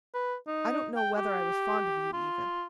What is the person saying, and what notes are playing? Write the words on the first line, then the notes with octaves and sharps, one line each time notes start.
I don't know whether I was fond of you even.
B4
D#4
G5
G4
F4